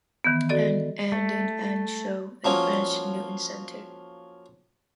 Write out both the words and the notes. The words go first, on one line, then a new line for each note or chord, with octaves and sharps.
An and an show a branch to Newton Centre.
D#3 E3 B3
F#4 A4 D5 D#5
A3
F3 F#3 A#3 C#4